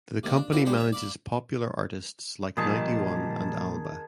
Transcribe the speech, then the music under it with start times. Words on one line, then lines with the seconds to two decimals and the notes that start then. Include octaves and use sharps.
The company manages popular artists like Ninety One and Alba.
0.23 C3 D#3 A#3 C4
0.36 D4
0.52 A#3 C4 E4 F#4 D5
0.65 D3 G#3 G4 C5
0.77 C#5 E5
0.92 D5 F5 B5
2.57 A#2 D#3 F3 G3 G#4 A5